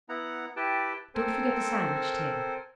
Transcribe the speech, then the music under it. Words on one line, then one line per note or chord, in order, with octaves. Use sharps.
Don't forget the sandwich-tin!
B3 E4 F#5 A#5
E4 G4 B4 G5 A5
C4 A4 A#4 C5 G#5